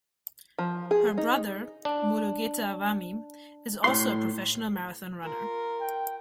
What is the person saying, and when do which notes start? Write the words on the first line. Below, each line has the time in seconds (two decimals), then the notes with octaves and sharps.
Her brother, Mulugeta Wami, is also a professional marathon runner.
0.59 F3
0.91 G#4
1.18 D#4
1.85 D4
3.84 A2 C6
5.22 F4 A#4
5.81 G5